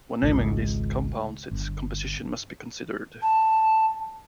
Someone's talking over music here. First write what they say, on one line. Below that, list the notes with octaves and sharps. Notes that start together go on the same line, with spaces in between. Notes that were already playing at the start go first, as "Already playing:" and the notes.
When naming these compounds, its composition must be considered.
G#1 C#2
G1
A5